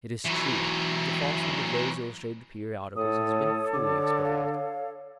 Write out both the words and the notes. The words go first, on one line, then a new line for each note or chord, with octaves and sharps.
It is true that the falsehood of those illustrated periodicals has been fully exposed.
E3 F#3
A2 A4 C#5 D#6
D3 D6
F5